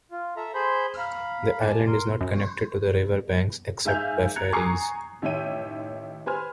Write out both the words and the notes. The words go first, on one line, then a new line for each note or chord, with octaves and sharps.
The island is not connected to the river banks except by ferries.
F4
A4 E5 A#5
G#4 C5 B5 C6 G6
F5 A#5 B5
D5 G#5 A5
A#4 C6
F#2
G#2 E5 F5 G#5 G6 F7
A#5 F#6 G#6 C#7 F7
G#5 A#5 C#6 D#6 C7
A1 D#3 C#5 E5 G5 D#7
B4 C5 G#5 F6